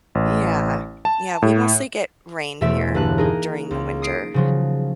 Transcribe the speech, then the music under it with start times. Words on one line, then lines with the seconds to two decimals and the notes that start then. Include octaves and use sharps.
Yeah, yeah, we mostly get rain here during the winter,
0.15 A1
1.05 A5
1.42 A2
2.61 E1 E2 A3 E5 B6 D7
2.95 G1 A#3 B4 A5 F#6
3.18 D#4 G#4 A#4
3.71 C#2
4.02 D#6 C7 D7
4.34 C#3 F3 F#3